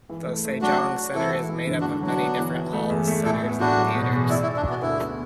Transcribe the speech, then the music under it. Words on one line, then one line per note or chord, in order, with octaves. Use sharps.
The Sejong Center is made up of many different halls, centers and theaters.
E3
A3
A3
F#3 D4 F#4
F#4
F#4
E3 E4 A4
E3
E3
D3
D4 F#4
D3
F#3 D4 F#4
B3
E3
E3
A3
E2
A3
A2 E4 A4
B3
A2 D4 F#4
F#3
B2
E2
E4 D5
E4
D5
D4
B3 F#4
D2 E4
B3